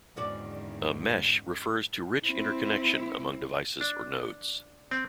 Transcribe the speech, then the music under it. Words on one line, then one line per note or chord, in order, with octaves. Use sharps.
A mesh refers to rich interconnection among devices or nodes.
E2 G#2 D3 D#3 C#4 F#4 D5
C4 E4
D4
C4